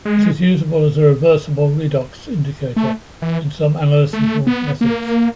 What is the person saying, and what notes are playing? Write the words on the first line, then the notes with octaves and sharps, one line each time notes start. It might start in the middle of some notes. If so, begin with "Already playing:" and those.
It is usable as a reversible redox indicator in some analytical methods.
G#3
A3
E3
A3
B3
A#3